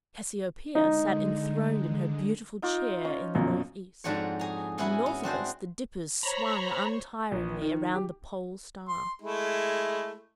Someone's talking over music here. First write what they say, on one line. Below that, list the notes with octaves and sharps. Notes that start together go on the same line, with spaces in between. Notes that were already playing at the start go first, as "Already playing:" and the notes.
Cassiopeia sat enthroned in her beautiful chair in the north-east; and north of us the Dippers swung untiringly around the Pole Star.
D3 G#3 D#4
D#4 F4 D6
C#4 D#4
A#1 F#2 B2
F2 G#2 D4 F#4 C#5
G#4 A#5
B3 C#4 E4 F#4 G#4
C#4
C4 D4 F#4 C5
C5 C#5 A#5 B5
A#1
D#3
G4
C6
G#3 A3 E4